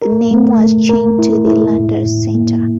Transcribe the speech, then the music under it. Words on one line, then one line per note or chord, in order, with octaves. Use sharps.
The name was changed to the Landers Center.
A#4
A3
A3
A#4
E4
E4
A2
A2
A#3